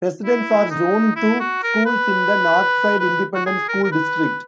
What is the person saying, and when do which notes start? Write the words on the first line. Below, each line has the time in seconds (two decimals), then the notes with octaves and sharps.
Residents are zoned to schools in the Northside Independent School District.
0.25 E4
0.71 D#4
1.16 E4
1.40 F#4
1.63 A#4
1.86 B4
3.00 B4
3.35 F#4
3.46 G#4
3.69 A#4
3.84 A#4
3.92 B4